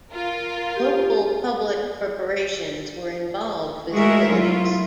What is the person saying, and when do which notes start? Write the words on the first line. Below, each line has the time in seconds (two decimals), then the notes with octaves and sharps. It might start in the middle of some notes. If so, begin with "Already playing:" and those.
Local public corporations were involved with utilities.
0.11 F4 A#4
0.76 G4
3.93 G#3 A3 F#4 G#4 A#4 E5
4.28 F#3 E4 F4